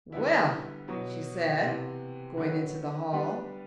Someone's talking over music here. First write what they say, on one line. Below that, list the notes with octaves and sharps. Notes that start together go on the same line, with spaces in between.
"Well?" she said, going into the hall.
D3 G3 B3 E4
B2 F#3 B3
C3 E3 B3
D3 F#3 B3 F#4 B4
G3 B3 D4 G4 B4